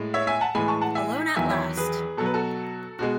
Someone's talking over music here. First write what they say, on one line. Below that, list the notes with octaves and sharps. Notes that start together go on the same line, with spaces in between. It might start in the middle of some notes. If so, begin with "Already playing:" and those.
Alone at last!
Already playing: A2 G#3
C#5 E5
E5 G#5
F#5 A5
A2 E3 G#3 G#5 B5
A5 C#6
F#5 A5
E5 G#5
E2 D#3 F#3 E5 G#5
C#5 E5
G#4 B4
B2 F#3 A4
B4
F#4 A4
B2 G#3 F#4